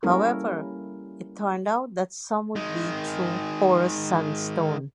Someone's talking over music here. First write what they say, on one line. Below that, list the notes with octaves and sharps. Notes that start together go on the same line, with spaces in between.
However, it turned out that some would be through porous sandstone.
G3 A#3 C#4 E4 A4 A#4
D#3 G#3